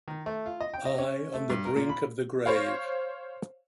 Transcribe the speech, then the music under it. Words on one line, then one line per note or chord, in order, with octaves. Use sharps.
I on the brink of the grave!
D#3
A3
F4
D#5
G5
D#5
C#4
A3
G2
A#4
A#2
B5
C5 C#5 F5